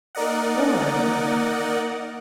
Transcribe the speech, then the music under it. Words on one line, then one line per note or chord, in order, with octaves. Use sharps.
'All right, Mother.
A#3 D#4 A#4 D5 D#5 F#5